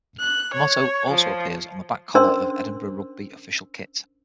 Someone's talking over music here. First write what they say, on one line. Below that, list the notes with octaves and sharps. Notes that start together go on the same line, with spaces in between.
The motto also appears on the back collar of Edinburgh Rugby official kit.
F#6
C#5
F3
C#4 D4 A#4 C5 C6 E6